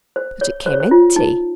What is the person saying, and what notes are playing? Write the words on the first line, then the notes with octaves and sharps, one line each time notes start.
But it came empty.
C5
C#5
C5
C#5
C5
F4
D#4